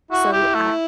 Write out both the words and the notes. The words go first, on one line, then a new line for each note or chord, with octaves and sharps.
so I
E4 F#4
G4
A3